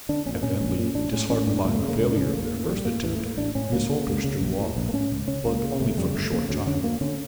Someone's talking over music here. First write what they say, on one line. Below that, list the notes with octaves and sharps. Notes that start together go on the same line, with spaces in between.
Evidently disheartened by the failure of their first attempt the assaulters drew off, but only for a short time.
D3 D4
A#1 C#4
A#3
A#2 C#4
A#1
A#2
A1 D4
A2 C#4
A1 C#4
A2 D4
C#2 A#3
A3
C#3
A#3
C#2 C#4
D4
C#3
C#4
A3
A#1 A#3
A2
F3
A#1 G3
A2 A#3
A1 E3
A2 A3
A#3
A1 D4
A2 C#4
C#2 A#3
C#3
C#2
C#3
A#1
A2
A#1
A#3
A2 C#4
C#2
C#3 C#4
C#2 A#3
C#3
G1 A3
F2 C#3 G3
G1 A3
F2 C#3 A#3
D2 C#4
D3 C#4
D2 A#3
D3 C#4